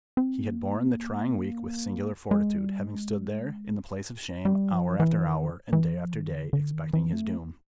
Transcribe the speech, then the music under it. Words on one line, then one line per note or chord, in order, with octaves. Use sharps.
He had borne the trying week with singular fortitude, having stood there in the place of shame hour after hour, and day after day, expecting his doom.
C4
A#3
G#3
G3
G#3
G3
F3
E3
D#3
E3
F3
D#3
D3
D3
D#3
E3
A3